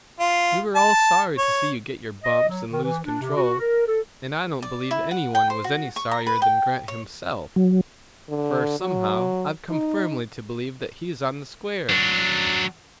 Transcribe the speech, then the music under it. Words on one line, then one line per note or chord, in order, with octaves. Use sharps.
We were all sorry to see you get your bumps and lose control, and I don't believe any one was any sorrier than Grant himself; for, somehow, I've come firmly to believe that he's on the square.
F4
A5
C#5
D#5
F#3
D#3
E3
D4
C3
F#4
A#4
A4
D5
E4
F#5
G5
C5
F#4
C#6
A#5
B4
G5
C#5
F#3
D3
F#3
D#4
F#3 D4